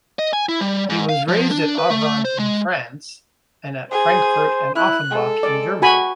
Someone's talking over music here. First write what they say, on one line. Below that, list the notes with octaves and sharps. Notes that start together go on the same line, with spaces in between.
He was raised at Avranches in France, and at Frankfurt and Offenbach in Germany.
D#5
G#5
E4
G3
G#2
F5
F3
D4
B4
A3
C5
G#3
G#4 C5 G#5
E4 F#6
G#3 A4
G#3 D5
F#4 G#5 B5